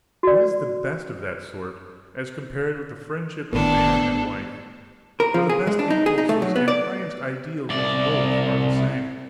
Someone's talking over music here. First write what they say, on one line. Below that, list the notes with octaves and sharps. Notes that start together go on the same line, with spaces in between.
What is the best of that sort, as compared with the friendship of man and wife, where the best impulses and highest ideals of both are the same?
F#4 D5
G1 A2 D#3 B3 D4 A4
A#4
F3
G#4
G#3
D4
D#4
G#4
D#4
A3
F#3
B3
D5
C2 D5